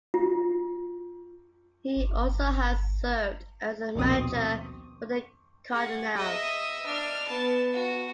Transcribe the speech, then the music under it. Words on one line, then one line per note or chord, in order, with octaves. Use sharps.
He also has served as a manager for the Cardinals.
F4
G1
A#1 D#2 B2 C4 D#6
G#4 F#5
D#5 E5
D4 F6
B3 A5
F#4